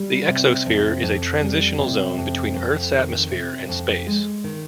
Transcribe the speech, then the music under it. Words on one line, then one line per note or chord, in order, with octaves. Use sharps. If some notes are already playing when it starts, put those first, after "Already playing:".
The exosphere is a transitional zone between Earth's atmosphere and space.
Already playing: G3
C3
F2
F2
G3
C3
F2
F2
D#3
C3
F2
G#3
D#3